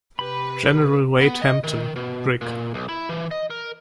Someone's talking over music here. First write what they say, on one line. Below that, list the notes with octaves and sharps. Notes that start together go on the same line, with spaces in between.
General Wade Hampton, Brig.
C3 G4 B4 B5
B3
D#5
D#3
B2
A#2
B1
E4
E3
D#5
A#4